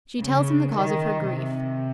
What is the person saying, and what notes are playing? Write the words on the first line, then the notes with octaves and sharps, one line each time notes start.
She tells him the cause of her grief.
C#3
D#3
C3